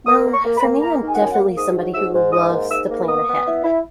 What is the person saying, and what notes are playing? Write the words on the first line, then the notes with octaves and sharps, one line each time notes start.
Well, for me, I'm definitely somebody who loves to plan ahead.
A#3 D#6
A#3
C#6
A#3
B5
A#3
A#3 A#5
D#3
G#5
F#5
F#2 G#5
F#5
A#3
G#2 D#6
F#3
G#2 E6
G#2
G#2 D#6
A#3
G#2 E6
A#3
B3 D#6
B3
E4
E4